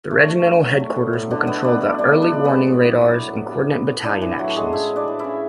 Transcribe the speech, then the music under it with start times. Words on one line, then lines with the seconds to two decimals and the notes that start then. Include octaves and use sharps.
The regimental headquarters will control the early-warning radars and coordinate battalion actions.
0.11 A3
0.28 A3
0.45 D3
0.61 F#3
0.80 A3
0.96 A2
1.13 A2
1.30 B2 D3 D4
1.47 B2 B3 B4
1.64 B2 D4 D5
1.81 A3 D4 D5
1.98 G#3 D4 D5
2.16 B2
2.22 D4 D5
2.34 G#3
2.44 B3 B4
2.51 G#3
2.67 A2
2.85 A2
3.01 F#3
3.20 A2
3.36 A2
3.54 A2
3.71 E3
3.87 A2
4.04 A2 D4 D5
4.22 A2 E3 E4
4.38 A2 F#3 F#4
4.48 A4
4.55 A2 G#3 G#4
4.73 C#3 E4 E5
4.91 C#3
4.96 D4 D5
5.08 E3
5.19 C#3 E4 E5